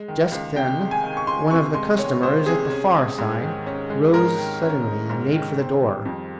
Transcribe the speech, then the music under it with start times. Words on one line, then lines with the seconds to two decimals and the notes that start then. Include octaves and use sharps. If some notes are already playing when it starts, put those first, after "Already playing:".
Just then one of the customers at the far side rose suddenly and made for the door.
Already playing: G#3
0.08 D#3
0.32 C#2
0.55 C3 G5
0.79 G#3
0.91 G#5
1.04 D#3
1.17 C#6
1.27 C#2 C6
1.51 C3 C#6
1.74 G#3 C6
1.98 D#3 C#5
2.23 C#2 C5
2.46 C3 G#4
2.70 C#4
2.95 G#3
3.18 G#2
3.42 D#3
3.67 C#4
3.90 G#3
4.14 G#2 A#4
4.38 D#3
4.62 C#4
4.85 G#3
5.10 G#2
5.33 D#3
5.57 C4
5.81 G3
6.05 F2